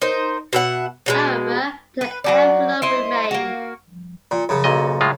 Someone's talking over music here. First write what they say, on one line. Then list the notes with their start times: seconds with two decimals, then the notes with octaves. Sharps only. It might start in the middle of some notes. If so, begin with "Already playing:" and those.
However, the envelope remained.
0.02 D#4 A#4 C5
0.53 B2 E5 F#5
1.06 B2 G3 G#3
2.01 B4
2.24 F#3 F#4 D5
2.82 E4 C5 D#5
3.31 A#3 F#4
4.31 A#2
4.49 F#2 C#3
4.64 B1 A#2 D#5
5.01 A2 G#3 F4